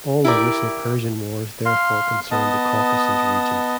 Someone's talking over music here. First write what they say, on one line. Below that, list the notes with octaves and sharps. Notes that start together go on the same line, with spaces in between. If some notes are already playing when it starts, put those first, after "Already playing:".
All the Russo-Persian Wars therefore concerned the Caucasus region.
E4 G4 A#4 D5
F5 C6
B3 D#5 A5